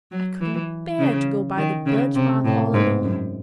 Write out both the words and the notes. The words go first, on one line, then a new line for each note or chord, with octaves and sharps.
I couldn't bear to go by the Birch Path all alone.
F#3
E3
C#3
D#3
C#3
C3
A2
G#2
F#2